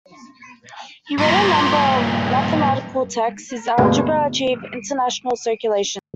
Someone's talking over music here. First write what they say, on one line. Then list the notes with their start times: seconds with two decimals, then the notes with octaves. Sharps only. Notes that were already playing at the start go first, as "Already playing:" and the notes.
He wrote a number of mathematical texts: his "Algebra" achieved international circulation.
1.18 G2 A#2
3.78 D2 G2 B2 G#3 A#3